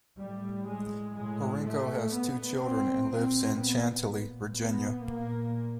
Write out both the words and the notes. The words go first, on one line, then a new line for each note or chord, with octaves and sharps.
Horinko has two children and lives in Chantilly, Virginia.
A2 G3
G#3
A2 G#3
A3
A#2 B3
C4
A#2 C4
B3
A#2
B3
A#2 A#3